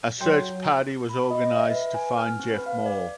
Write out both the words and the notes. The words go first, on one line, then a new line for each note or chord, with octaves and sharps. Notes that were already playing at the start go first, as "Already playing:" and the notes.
A search party was organized to find Jeff Moore.
F#3 G5 C6 G6
B5
D#5
A#6
E5
B4
G#5
F6
C4
B4
F5
D5